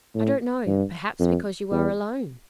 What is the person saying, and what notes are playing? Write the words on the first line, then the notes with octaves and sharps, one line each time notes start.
"I don't know; perhaps because you are alone."
A2
G2
F2
E2